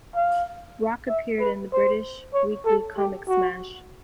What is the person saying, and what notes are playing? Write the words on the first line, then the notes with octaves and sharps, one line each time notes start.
Rock appeared in the British weekly comic Smash!
F5
E5
B4
C5
C#5
A4
G4
F#4